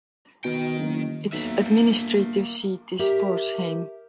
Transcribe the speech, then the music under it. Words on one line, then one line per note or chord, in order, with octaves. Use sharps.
It’s administrative seat is Forchheim.
B2 D#3 G5
F#1
B1 A#3 E5
G1
G4 A#4 E5